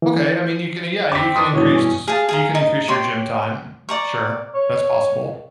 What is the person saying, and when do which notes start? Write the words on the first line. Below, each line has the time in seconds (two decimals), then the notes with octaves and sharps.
Okay, I mean, you can yeah, you can increase you can increase your gym time, sure, that's possible,
0.02 E3
1.12 C4 D6 B6
1.36 D4 C6 D#6
1.54 G2 B2 E3 C#5
1.74 C#4
2.08 G#4 F5 A5
2.29 G#4 F5 A#5
2.55 D#4
2.88 G4 C#5 C6
3.89 D5 A#5 C#6
4.54 C#5